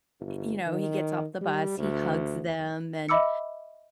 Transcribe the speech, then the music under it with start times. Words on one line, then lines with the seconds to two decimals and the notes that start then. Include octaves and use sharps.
y you know, he gets off the bus, he hugs them, and,
0.20 G1
0.67 D#3
1.42 G3
1.78 D2
3.09 D#5 E5 B5 D6 E6 C#7